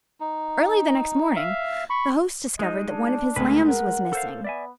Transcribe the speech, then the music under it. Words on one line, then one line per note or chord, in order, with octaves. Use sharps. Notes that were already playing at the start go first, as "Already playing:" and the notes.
Early the next morning the host discovered that one of his lambs was missing.
D#4
E5 F5
B5 C#6
G#3 D#4 D#5
D4
D2 G#3 B4
A#4 F#5
A4 C5 F5
B3 D5 E5 G#5